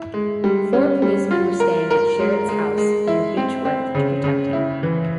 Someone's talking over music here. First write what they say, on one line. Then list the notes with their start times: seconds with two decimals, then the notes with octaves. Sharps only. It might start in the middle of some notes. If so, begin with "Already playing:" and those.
Four policemen were staying at Sherritt's house, near Beechworth, to protect him.
Already playing: E4
0.14 G#3
0.44 G3
0.73 C#4
1.02 G3
1.31 F4
1.60 A#4
1.91 A#4
2.20 G#3
2.49 G#3
2.78 G#3
3.07 E4
3.37 C4
3.65 C4
3.95 C#3
4.24 C#3
4.53 E4
4.83 E3